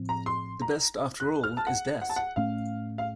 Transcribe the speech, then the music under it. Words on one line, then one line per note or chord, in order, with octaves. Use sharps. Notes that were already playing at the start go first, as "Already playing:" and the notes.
The best, after all, is death.
Already playing: A2 F3 C4
A#5
C6
A#5
F#6
F6
A5
F#5
F#5
A5
F#5
A2 A3 C#4 F5
F5